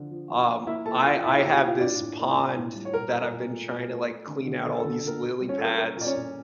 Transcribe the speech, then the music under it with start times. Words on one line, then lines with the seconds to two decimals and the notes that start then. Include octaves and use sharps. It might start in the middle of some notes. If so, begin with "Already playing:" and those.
Um, I I have this pond that I've been trying to, like, clean out all these lily pads."
Already playing: D3 F3
0.11 F3
0.29 F3
0.48 F3
0.67 A#3 E4 E5
0.86 A#3 A4 A5
1.05 A#3 F4 F5
1.24 A#2 E4 E5
1.38 G4 G5
1.42 A#2
1.52 G4 G5
1.62 A#2 F4 F5
1.80 A2 D4 D5
2.00 A2
2.19 A#3
2.37 A2
2.56 A2
2.76 G3
2.85 C#5
2.94 A#2 A#4
3.12 A#2
3.22 A#4
3.31 A#2
3.50 A3
3.70 A#2
3.89 A3
4.08 A3
4.27 D3
4.46 D3
4.65 D3 A4
4.79 A4
4.84 D3
4.93 A4
5.02 D3 A#4
5.21 A#2
5.41 G3
5.49 C#4 C#5
5.58 G3 A4
5.64 A#4
5.78 A#2 A#4
5.97 A#2 D5
6.06 C#4 C#5
6.16 A#2